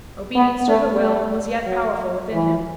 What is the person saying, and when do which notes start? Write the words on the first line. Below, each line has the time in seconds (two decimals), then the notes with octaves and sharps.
Obedience to her will was yet powerful within him.
0.35 B3
0.68 A3
1.00 A3
1.66 F#3
2.32 E3